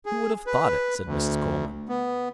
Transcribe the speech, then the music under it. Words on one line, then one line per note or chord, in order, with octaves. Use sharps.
"Who would have thought it?" said Mrs. Coleman.
G#4
B4
D2
B3